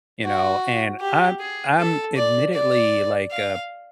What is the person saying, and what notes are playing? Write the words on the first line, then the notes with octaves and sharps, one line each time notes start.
you know? And I'm I'm admittedly, like, a
F#4
G4
G#4
A4
D5
D5
F5